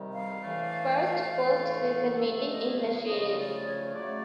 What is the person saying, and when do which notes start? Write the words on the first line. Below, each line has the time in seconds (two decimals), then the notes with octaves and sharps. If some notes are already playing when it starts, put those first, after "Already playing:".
First postseason meeting in the series.
Already playing: C3 D#3 G3
0.13 F5
0.42 A2 E3 A3
1.30 A2 E3 A3
2.19 C#3 F3 A3 E5
2.49 D#5
2.78 F5
3.07 C#3 F3 A3 D#5
3.37 D5
3.66 C#5
3.95 C#3 F#3 A3 D5